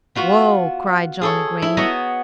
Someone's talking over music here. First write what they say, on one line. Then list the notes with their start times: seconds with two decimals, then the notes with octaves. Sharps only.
"Whoa!" cried Johnnie Green.
0.15 B3 F4 F#4 B4
1.21 G#4 A4 C#5
1.62 E4
1.77 B3 F#4 C#5 D#5 A#5